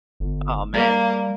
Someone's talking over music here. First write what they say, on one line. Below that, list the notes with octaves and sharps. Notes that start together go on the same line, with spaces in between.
Oh, man,
G1
G3 A#3